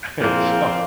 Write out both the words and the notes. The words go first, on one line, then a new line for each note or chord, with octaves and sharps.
And so,
A#2 F3 A#3 C4 E4 G#4